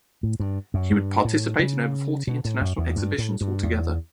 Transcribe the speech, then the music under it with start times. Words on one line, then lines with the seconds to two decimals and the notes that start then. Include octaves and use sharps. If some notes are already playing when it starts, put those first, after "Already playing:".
He would participate in over forty international exhibitions altogether.
0.23 A2
0.40 G2
0.74 F#2
0.91 G2
1.25 A2
1.59 C#3
2.27 B2
2.45 A2
2.61 F#2
2.78 E2
2.96 G2
3.18 A2
3.41 G2
3.63 E2